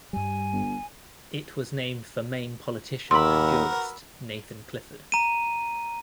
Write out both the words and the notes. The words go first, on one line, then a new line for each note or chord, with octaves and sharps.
It was named for Maine politician and jurist Nathan Clifford.
G2 G3 G#5
G1
D#2 F#4 A#4 B4 B5 C6 D6 E6
A#5 D#7